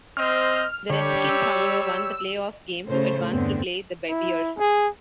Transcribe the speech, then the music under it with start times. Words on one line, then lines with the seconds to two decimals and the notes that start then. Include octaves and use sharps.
The Redskins, however, won the playoff game to advance to play the Bears.
0.17 C4 C5 D#5 F6
0.90 D3 G3 G4 C#5
1.29 E6
2.88 A2 C#3 A3 C#4 C5
3.30 E2 G2 D3 B3 C4
4.09 E4
4.58 G#4